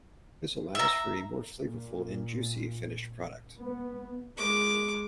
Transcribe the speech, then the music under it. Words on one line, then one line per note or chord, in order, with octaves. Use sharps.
This allows for a more flavorful and juicy finished product.
E5 A#5
A#2
B3
G#3 D6